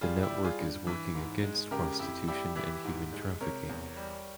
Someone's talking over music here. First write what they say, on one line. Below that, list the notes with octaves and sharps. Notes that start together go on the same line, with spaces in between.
The network is working against prostitution and human trafficking.
G3 F4 G#4
E4 G4
G3
F4 G#4
G2
E3
G#2
G#3
C#3 G4 A#4
F2 E4 G4
G3 E4 G4
E3 E4 G4
G#2
G#3
C3 A#4 C#5
E2
G3